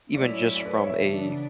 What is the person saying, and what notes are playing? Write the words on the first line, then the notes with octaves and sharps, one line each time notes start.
even just from a
A2 F#3 C#4 E4 D5
D5
B4
C#5
E5
C#3 E3 B3 D4